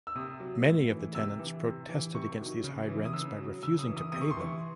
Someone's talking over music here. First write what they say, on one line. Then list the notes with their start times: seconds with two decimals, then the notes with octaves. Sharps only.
Many of the tenants protested against these high rents by refusing to pay them.
0.07 E6
0.15 C3 D#6
0.40 F#3
0.65 A2
0.90 E3
1.15 C3 E6
1.39 E3
1.65 C3
1.89 E3
2.14 C3 C#6
2.40 D#3 F#3
2.64 C#3
2.89 E3
3.05 D#6
3.13 C#3 E6
3.38 F#3
3.63 C#3 E6
3.79 D#6
3.87 E3
3.97 D#6
4.12 C3 D#6
4.21 C#6
4.31 C6
4.37 E3 C#6